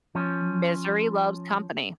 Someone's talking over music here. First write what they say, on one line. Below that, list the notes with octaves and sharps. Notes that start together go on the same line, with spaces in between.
Misery loves company.
F3 C#4